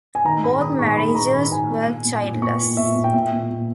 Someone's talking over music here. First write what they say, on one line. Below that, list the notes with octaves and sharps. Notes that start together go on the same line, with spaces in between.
Both marriages were childless.
G#5
D#3 A#5
G#2 B5
D#3 D#6
G#2 C#6
D#3 B5
G#2 A#5
D#3 B5
G#2 G#5
A#2
A#2
A#2
A#2
A#2 C#6
A#2
A#2 E5
A#2
G5
A#2 E5
A#2
A#2